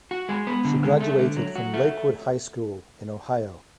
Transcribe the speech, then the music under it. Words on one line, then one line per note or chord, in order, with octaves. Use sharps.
She graduated from Lakewood High School in Ohio.
F#4
G#3
B3
D3
G#3
A3
D3
F#3
F#4
A3